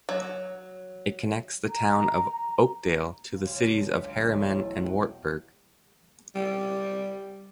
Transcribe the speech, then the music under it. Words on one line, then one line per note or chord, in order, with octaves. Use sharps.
It connects the town of Oakdale to the cities of Harriman and Wartburg.
F#3
A#5
F#1
C#2
D4
G#3
B6
C#2
B1
E1
E4
A3
F#5
G5
G3